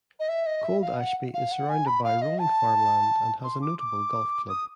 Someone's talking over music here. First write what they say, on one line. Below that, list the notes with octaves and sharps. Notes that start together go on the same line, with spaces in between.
Cold Ashby is surrounded by rolling farmland, and has a notable golf club.
D#5
E5
D#5
E5
F5
F#5
F5
F#5
G#5
B5
F5
D#5
A5
C6
D6
D6
D#6